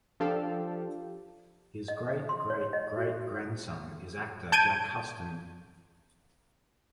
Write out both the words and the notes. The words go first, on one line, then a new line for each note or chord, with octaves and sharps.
His great-great-great-grandson is actor Jack Huston.
F3 D4 G4 A4 F5
D#5
D#5
C6
C#5
D#5
F#4
A5 G6 G#6 D7 D#7